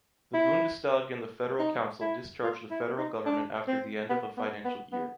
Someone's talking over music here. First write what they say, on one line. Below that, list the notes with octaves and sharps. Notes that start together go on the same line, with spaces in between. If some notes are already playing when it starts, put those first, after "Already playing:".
The Bundestag and the Federal Council discharge the Federal Government after the end of a financial year.
E4
D#4
E4
F4
E4
D#4
D4
C4
B3
B3
B3
B3